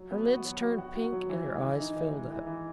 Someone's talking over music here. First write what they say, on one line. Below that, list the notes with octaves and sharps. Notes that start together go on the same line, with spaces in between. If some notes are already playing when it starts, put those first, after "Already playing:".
Her lids turned pink and her eyes filled up.
Already playing: F#3
B3
F#4
F#3
F#4
F#4
F#4
F#3
E3
G#3
E3
D#4
E3
G#3
E3
E3